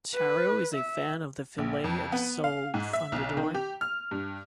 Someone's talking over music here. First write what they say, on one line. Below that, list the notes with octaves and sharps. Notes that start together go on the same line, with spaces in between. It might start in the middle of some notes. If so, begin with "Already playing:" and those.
Charo is a fan of the filet of sole fundador.
B4
E5
A#1
F2
B3
F5
G#2
E5
B1
D#3
G4
F6
G2